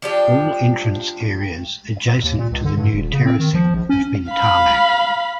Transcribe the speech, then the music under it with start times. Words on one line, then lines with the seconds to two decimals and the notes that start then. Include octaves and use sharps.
All entrance areas adjacent to the new terracing have been tarmacked.
0.02 F3 D4 G4
2.24 D#2
2.38 A#2
2.52 C#2
2.65 D3
2.77 G2
2.94 D#1
3.13 C#3
3.25 C4
3.39 D#3
3.54 F3
3.74 A#1
3.89 C#4
4.31 F5 B5